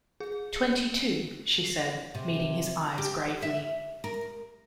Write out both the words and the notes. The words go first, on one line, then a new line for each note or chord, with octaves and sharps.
"Twenty-two," she said, meeting his eyes gravely.
G#4
C#7
C3
G4
E5
A#4